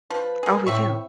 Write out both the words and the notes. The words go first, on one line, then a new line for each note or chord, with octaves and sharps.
Oh, we do,
F3 B4
A#3 G#4
A2 C4 E5 C#6